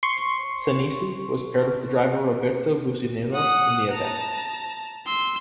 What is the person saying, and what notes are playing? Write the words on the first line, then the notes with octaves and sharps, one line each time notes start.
Sanesi was paired with driver Roberto Bussinello in the event.
C6 C#6
F#5 D#6
A5 A#5
C6 E6